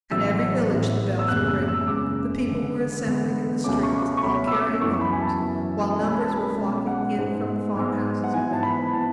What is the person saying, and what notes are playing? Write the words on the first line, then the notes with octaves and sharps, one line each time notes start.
At every village the bells were ringing, the people were assembling in the streets, all carrying arms, while numbers were flocking in from the farmhouses around.
A1 A2 F#3 B3 E6
A1 A2 F#3 B3
E6
F#1 E2 C#3 G#3 F#6
E6
E6
E6
F#1 E2 C#3 G#3 D6
E2 D3 G#3 B3
E2 D3 G#3 B3
C#2 B2 A3 C#4 D6
C#6
C#6
C#6
C#2 B2 A3 C#4 B5
E6
D6
F#2 E3 B3 C#6
B5
G#5
A5
F#2 E3 B3
B1 B2 G#3 C#4 G#5
B5
A5
B5
B1 B2 G#3 C#4
F#5
G#2 G#3 B3
G#2 G#3 B3
F#5
G#2 E3 B3 G#5
A5
B5
E3 B3 A5